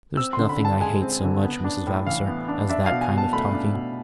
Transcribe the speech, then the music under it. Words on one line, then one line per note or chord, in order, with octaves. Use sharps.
There's nothing I hate so much, Miss Vavasor, as that kind of talking.
C4 E6
C6
D3
B5
D3
A5
G#3 G#5
C4
D3
B3
D4
A2
E3 F5
B3
D4
D4 E5
F5
B2
G#5
B2
A5
A3 B5
D4
B2